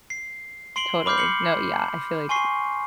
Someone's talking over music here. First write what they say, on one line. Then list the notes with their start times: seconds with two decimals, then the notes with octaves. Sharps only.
Totally. No, yeah, I feel like
0.10 C7
0.76 C6 C7 D7 F#7 G7
1.06 B5 D6 F6 G6 C7
1.18 C7 C#7 F#7
2.29 G#5 C6 C#6 C7